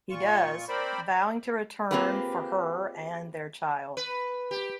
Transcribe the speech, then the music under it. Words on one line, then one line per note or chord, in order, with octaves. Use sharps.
He does, vowing to return for her and their child.
A#2 F4 C#6
C4 A#4 C5 D5 B5
A#3 C4 F4 G4 G#4 B4
B4
G4